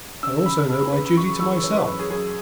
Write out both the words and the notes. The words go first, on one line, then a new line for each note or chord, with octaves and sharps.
I also know my duty to myself.
C#4 E6
C#4 B5
C#4 G#4
B4
C#4 B4
B5
F#2 C#6
E3 E6
F#2 C#5
B4
F#2 B4
G#4
F#2 G#4